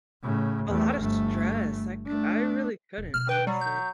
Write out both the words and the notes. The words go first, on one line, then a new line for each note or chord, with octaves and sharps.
A lotta stress I cou I really couldn't honestly,
A2 C#3
E2 A3
G1 A3
A3 D4
D#1
B2 D4 F6
B4 G5
F#3 G3
G6